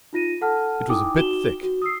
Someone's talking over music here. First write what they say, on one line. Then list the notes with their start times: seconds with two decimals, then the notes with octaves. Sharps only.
It was a bit thick.'
0.13 D#4 F4 A#6 D#7
0.41 A4 F#5 A5 F6
0.88 D#4 E4 G5 G#5 D6 D#6
1.14 D#4 F#4 E7 G7
1.63 F#4
1.82 D#6 E6 C7